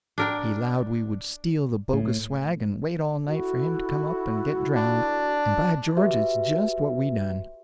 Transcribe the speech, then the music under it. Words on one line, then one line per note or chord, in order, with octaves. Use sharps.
He allowed we would steal the bogus swag and wait all night for him to come up and get drownded, and by George it's just what we done!
D4 A#4 G5
A2
E4 F#4 A4
D4
F#4 G4 B4 E5